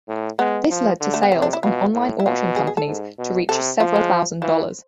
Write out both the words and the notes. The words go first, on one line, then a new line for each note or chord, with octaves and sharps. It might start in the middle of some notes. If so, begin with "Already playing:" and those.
This led to sales on online auction companies to reach several thousand dollars.
A2
G#3 B3
F3
D3
A3
B3
C3 C4
D4
E4
B2 F4
A2
E4
B2 F4
G#4
G#4
A4
G#2
B2
C3 A4
F3 F4
G#3
E3 F3